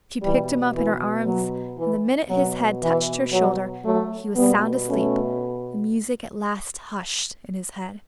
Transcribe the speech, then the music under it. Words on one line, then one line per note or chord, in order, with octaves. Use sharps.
She picked him up in her arms, and the minute his head touched her shoulder he was sound asleep, the music at last hushed in his head.
B2 E3 G3
E3
F#3
E3
B2 F#3
E3
F#3
F#3 A3
B2 G3 B3
A3 C#4